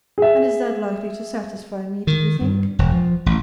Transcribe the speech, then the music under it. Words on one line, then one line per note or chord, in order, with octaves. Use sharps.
"And is that likely to satisfy me, do you think?"
G#4 E5
D#3
G2
E1
F3
A1